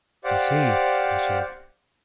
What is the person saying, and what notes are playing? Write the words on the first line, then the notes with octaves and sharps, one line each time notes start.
"I see," I said.
G4 C5 D5 F5 F#5